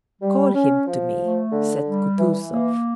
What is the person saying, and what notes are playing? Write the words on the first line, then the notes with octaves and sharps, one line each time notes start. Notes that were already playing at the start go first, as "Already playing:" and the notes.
"Call him to me," said Kutuzov.
G3
C#4
F3
A3
D3
G3
E3
A#3